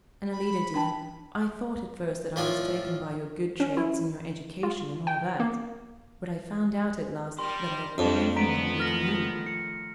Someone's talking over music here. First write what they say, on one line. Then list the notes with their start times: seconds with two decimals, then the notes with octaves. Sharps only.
And, Alida, dear, I thought at first that I was taken by your good traits and your education and all that, but I found out at last that I had fallen in love with YOU.
0.32 B5
0.74 D4 G5 A5
2.36 A2 F3 F4 D5 G#5
3.60 C#4
3.77 E4
4.63 F4
5.07 G5
5.40 A#3
7.39 G3 A#4 C6
7.98 F2 F3 G3 C#4 D4
8.36 D#3 F3 A3 B3 A#5 B6 D7
8.80 F6 A#6
9.46 C#7